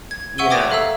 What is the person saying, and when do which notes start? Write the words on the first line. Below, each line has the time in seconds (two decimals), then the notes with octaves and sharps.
you know,
0.11 G#6
0.38 E5 F#5 C#6 E6 D#7 G7
0.50 G5 D6 D#6 G#6 A#6 D7
0.71 A4 E5 F5 A#5 E6